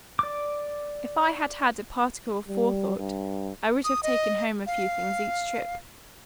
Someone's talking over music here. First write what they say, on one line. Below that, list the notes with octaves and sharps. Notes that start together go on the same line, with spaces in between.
If I had had a particle of forethought I would have taken home a few things each trip.
D5 D6
G3
G2
D#6
D#5
F5